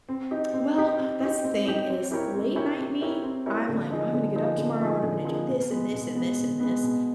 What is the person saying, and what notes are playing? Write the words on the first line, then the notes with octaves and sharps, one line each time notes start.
Well, that's the thing is late night me, I'm like, "I'm gonna get up tomorrow and I'm gonna do this, and this, and this, and this,"
C4
D#4 G4
C4
D#4 G4
C4
D#4 G4
C4
D#4 G4
C4
E4 G4 A#4 C#5
C4
E4 G4 A#4 C#5
C4
E4 G4 A#4 C#5
C4
E4 G4 A#4 C#5
D3
F3 A#3 D#4 G#4
D3
F3 A#3 D#4 G#4
D3
F3 A#3 D#4 G#4
D3
F3 A#3 D#4 G#4
B2
G#3 B3
B2
G#3 B3
B2
G#3 B3
B2